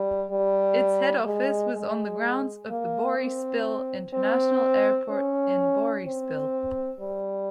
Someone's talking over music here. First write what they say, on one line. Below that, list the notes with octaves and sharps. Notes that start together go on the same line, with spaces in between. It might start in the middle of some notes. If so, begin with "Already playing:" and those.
Its head office was on the grounds of the Boryspil International Airport in Boryspil.
Already playing: G3
G3
G#3
G#3
A#3
C4
C4
C#4
C4
G3